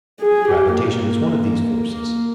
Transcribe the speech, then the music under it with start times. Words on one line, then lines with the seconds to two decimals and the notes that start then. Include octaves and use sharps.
Gravitation is one of these forces.
0.21 G#4
0.48 G4
0.76 A#3
1.88 A#3